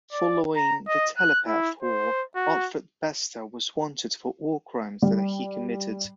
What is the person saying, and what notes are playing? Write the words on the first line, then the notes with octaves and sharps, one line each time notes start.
Following the Telepath War, Alfred Bester was wanted for war crimes that he committed.
D5
A#5
D#5
F#6
E4
C5
F#4
G3